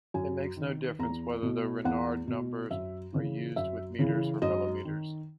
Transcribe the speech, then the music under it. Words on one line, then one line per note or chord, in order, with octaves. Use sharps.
It makes no difference whether the Renard numbers are used with metres or millimetres.
F#2 G#5
D#3
E2 A#5
B2
E2 F#5
B2
F#2 E5
C#3 E3
F#2 E5
C#3 E3
F#2 D#5
D#3